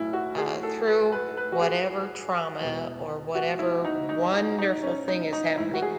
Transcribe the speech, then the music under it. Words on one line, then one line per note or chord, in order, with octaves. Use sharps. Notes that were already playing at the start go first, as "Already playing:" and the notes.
uh, through whatever trauma or whatever wonderful thing is happening.
Already playing: B1 A2 F#3 A3 E4
F#4
G#4
A4
B4
B4
B4
F#4
G#4
E1 E2 B2
F#4
E4
D#4
D#4
D#4
D#4
C#4
D#4
D#4
A1 G#2 E3 E4
F#4
G#4